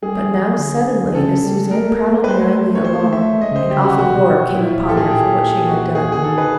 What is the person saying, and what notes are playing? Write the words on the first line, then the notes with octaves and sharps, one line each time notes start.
But now, suddenly, as Suzanne prattled merrily along, an awful horror came upon her for what she had done.
G3 G#4
G3
F3
F#3
D3
C#3 A4
C#3
G3
G#3
A3 A#4
A#3
A3
A#3 B4
C5
A3
C#5
A3 C5
A#3
A3
E5
G#3 D#5
C#3
D3 C5
G4
C#3 F#4
C3 F#4
B2
B2
B2
A#2 E4
F4
A#2
G4
A4
A2
G#4
A#2 G4
F#4
G#4
G#4
D3
D#3 A4
B4